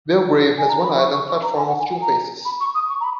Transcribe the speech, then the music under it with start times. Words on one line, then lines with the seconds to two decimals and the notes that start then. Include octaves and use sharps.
Belgrave has one island platform with two faces.
0.58 G#5
0.69 A#5
0.83 B5
0.99 C#6
1.14 C#6
1.28 C#6
1.43 A#5
1.57 G#5
1.68 F#5
1.80 G#5
1.90 G#5
2.02 A#5
2.45 B5
2.61 C#6
2.75 D#6
2.89 C#6
3.00 A#5
3.04 B5